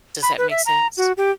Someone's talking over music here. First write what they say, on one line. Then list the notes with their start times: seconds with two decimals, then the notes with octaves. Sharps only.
Does that make sense?
0.22 B5
0.38 B4
0.50 E5
0.66 A#5
0.97 F#4
1.17 G4